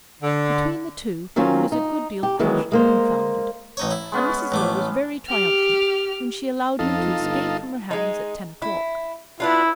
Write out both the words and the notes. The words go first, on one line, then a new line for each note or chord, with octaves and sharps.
Between the two he was a good deal crushed and confounded, and Mrs. Low was very triumphant when she allowed him to escape from her hands at ten o'clock.
D3
D#3 F#3 C4 C#4 F4
D#4
G4
D#3 E3 F#3 G#3 B3
G#3 A#3 C5
A1 D#4 C#5
E4
G#3 B3 C#4
A1 A3 D6
G4 F6
F2 D#4 F4 A4
G1
G#3 D#4
E4
B3 D4 E4 F4